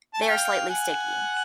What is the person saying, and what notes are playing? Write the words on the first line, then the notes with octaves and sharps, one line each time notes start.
They are slightly sticky.
A5
G#5
F5 G5
F#5 G#5